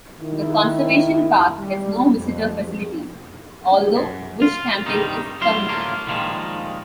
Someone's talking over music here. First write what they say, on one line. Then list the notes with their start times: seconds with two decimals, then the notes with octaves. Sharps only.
The conservation park has no visitor facilities, although bush camping is permitted.
0.20 D#3 E4
1.58 G3
2.16 F2
3.96 F#2
4.42 F4
4.86 G2 C3 D#3 G3 D#4
5.41 F#3 G3 E4 F5 C6
5.69 A2 D3 A3 A#3 F4
6.07 A#2 D3 D#3 F3 G3 G#3